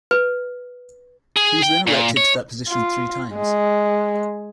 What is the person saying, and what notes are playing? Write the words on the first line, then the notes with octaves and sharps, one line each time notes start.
He was then elected to that position three times.
B4
G#4
G5
A#2
C#5
F4
G#3